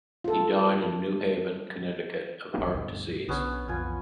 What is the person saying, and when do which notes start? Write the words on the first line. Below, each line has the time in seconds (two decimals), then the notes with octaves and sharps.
He died in New Haven, Connecticut, of heart disease.
0.24 F4 A4
2.58 G#1 D#2
2.75 D2 G2 B2
3.29 B1 D3 B3 C#4
3.68 B1 F2 E3 B3 F4 G#5